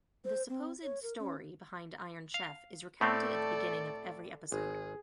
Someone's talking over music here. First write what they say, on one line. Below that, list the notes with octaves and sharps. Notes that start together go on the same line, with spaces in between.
The supposed "story" behind "Iron Chef" is recounted at the beginning of every episode.
C5
C4
C#5
A#4
C#4
F5
A2 A3 C4 A4 D5
G#1 G#4